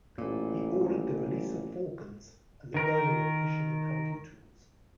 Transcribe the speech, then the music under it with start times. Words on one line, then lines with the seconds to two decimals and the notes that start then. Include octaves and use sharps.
He ordered the release of falcons and the burning of fishing and hunting tools.
0.18 A1 A#2
2.74 D#3 A#4